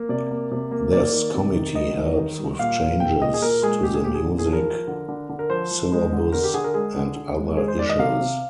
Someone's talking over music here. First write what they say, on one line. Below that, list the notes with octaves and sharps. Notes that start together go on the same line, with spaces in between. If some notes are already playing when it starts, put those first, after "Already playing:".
This committee helps with changes to the music syllabus and other issues.
Already playing: A#3
C3 D5
A#3
C3
A#3
A#3 D5
D#3
C3
D#3
G3 D#5
D#3
D#3
G3
A#2 F5
A#2
A#2 G5
A#2 D#5
G#4
A#2 A#4
G#3 G#4
A#2 G4
G#4
A#2 G4
G#4
D3
G#4
F3
A#4
F3
D3
D3
D3
A#4
F3 C5
F3
G#3
D3
D3 A#4
G4
D3 G#4
A#4
G#3 G#4
D3
D3
G#3
G#3 G#4
C5
D#3 D5
D#5
C3 F5
C3